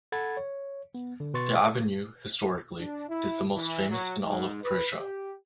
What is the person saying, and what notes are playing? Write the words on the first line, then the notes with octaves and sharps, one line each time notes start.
The avenue, historically, is the most famous in all of Persia.
A4 F#5 B5 G#6 A6
C#5
B3
D3
B2 B4 C6 C#6 A6
D4
E4
E3
F#3
G#2
B4
G4